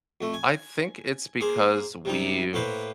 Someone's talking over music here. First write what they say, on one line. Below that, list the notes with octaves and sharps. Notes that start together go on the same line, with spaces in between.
I think it's because we've
F2 A3
G#5
A#3 G#4 C5
C3 G3 D#4
A2 A#3 B4 C5